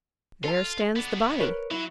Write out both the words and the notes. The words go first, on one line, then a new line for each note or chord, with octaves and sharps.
There stands the body!
F4 A4 A5
B3 D4
A#4 B4 C#5
F#3 E4